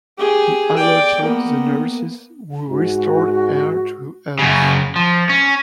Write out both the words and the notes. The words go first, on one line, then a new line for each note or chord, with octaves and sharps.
He alerted the nurses, who restored her to health.
G4 G#4
D5 G5
A#3 B3
G#2 F#4
F#2 C#3
F3
C#4